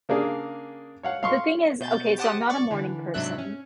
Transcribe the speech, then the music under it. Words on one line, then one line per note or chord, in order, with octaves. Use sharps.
the thing is okay, so I'm not a morning person,
C#3 A#3 D4 G#4
C#5 F5 F#5
F5 C6 C#6
B2 G6 A6
G4 C5 F#5 A5 D6 D#6
D5 C#6
D3 E3
G#2 C3 F#3 D4 E5 F#6
C#4